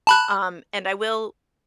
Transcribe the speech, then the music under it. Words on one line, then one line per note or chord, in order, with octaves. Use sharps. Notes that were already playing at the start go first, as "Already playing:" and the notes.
um, and I will
A5 B5 F#6